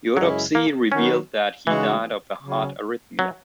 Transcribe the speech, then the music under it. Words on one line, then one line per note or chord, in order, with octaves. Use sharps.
The autopsy revealed that he died of a heart arrhythmia.
F#2 C#3 F#3 G#3 C#4 E4
A#3
D#3 F#3 B3 C#4 F#4
C#3 E3 G#3 D#4 F#4
C#3 F#3 C#4
F#3